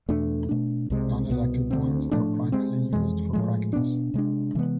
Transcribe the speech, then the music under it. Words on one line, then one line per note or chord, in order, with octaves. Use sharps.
Nonelectric ones are primarily used for practice.
E2 B2 A3 D4
B2 A3 D4
C2 C3 G#3
C2 B2 B3
D2 D3 G#3 C4
A2 F3 A3 D4
C3 G#3 C4
F2 E3 G#3
A2 F3 G#3
B2 B3 D4
C3 G#3 D4
C3 E3 G#3 B3